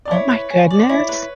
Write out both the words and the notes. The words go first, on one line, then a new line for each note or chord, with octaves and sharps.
Oh my goodness.
D5
E4 C#5
B4
G#5
D5
E4 C#5
B4